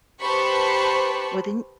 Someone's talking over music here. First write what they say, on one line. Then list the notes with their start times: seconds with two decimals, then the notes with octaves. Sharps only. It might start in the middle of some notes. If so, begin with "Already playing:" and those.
Well, then,
0.21 G4 B4 C5 A5 B5 C#6